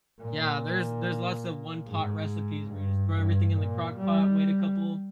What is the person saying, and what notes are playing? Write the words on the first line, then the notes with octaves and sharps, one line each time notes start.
Yeah. There's there's lots of one-pot recipes where you just throw everything in the crockpot, wait a couple
A#2
G#2
G2
G2
A#2
G3